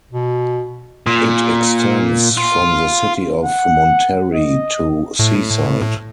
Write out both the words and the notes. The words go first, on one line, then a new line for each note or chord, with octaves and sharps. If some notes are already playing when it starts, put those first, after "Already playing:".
It extends from the city of Monterey to Seaside.
B2
A#2
F4
F#5
D#5
A2